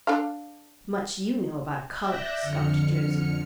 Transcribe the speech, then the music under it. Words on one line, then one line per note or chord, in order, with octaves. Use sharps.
Much you know about a colour,' scoffed Josie.
D4 A4 F5
D5 E5 E6 F#6 G6 A#6
F2 D3 F6 C#7